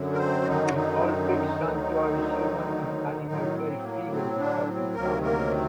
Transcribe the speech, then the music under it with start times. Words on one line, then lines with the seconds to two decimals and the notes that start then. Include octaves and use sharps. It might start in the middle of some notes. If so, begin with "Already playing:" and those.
In all peak sanctuaries, human and animal clay figurines have been found.
Already playing: F#2 D3 F#3
0.14 A#4
0.19 C4 C5
0.42 F#4
0.47 D#3 D#4
0.65 F#4
0.74 D#3 D#4
1.59 D2 D3 F#3
3.26 A2 D#3 F#3 D#4
3.55 C4
3.82 A#3
4.12 C4
4.39 D3 D4
4.67 C4
4.95 D2 C3 D#3 F#3 A#3 A#4
5.23 A#3 A#4
5.52 C4